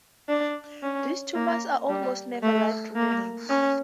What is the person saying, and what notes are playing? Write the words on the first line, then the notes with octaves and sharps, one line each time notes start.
These tumors are almost never life threatening.
D4
C#4
A#3
G3
A3
A#3
C#4